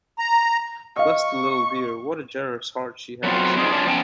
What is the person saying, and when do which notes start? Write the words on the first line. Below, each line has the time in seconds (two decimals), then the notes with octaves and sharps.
Bless the little dear, what a generous heart she has!
0.19 A#5
0.96 D#5 F5 C#6
3.24 F#3 A3 B3 C4 F4 F#4
3.57 C4 D4 D#4 F4 G#4
3.73 F#2 C#4 D4 F4 D5 A5
3.87 F3 B3 C#4 G5 A5